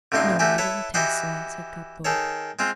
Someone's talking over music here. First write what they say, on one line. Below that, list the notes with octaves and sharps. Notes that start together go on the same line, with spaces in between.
"No, I don't think so," said Cuthbert.
A1 F2 A2 D3 D#4 C6
D2 A3 F#4 G4 G#5
E4 A4 B4 C#5
E3 F#4 G4 D#5 F#5 C6
D#3 G#4 A4 C#5
G#3 C4 F4